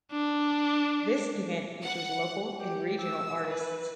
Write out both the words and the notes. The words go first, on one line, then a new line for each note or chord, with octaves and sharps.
This event features local and regional artists.
D4
F#5
G4
E6
B4